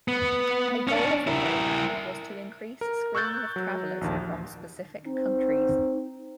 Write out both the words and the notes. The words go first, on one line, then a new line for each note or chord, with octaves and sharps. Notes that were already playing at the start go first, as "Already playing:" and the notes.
A goal of the program was to increase screening of travelers from specific countries.
B3
C#4 D4
E4 A#4
A#4
C#6 E6 F#6 G6 A6
F#3
A#1 D#2
C4 D#4